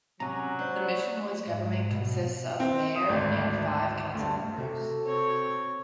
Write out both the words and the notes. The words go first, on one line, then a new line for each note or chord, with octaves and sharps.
The Mission Woods government consists of a mayor and five council members.
C3 F#3 C#4 G#5 A#5
B3 D4 C5 F#5
G#2
B2
C4
D#6
G#1 D2 D5
D2 G2
C3 F#4 A4
C4 C#5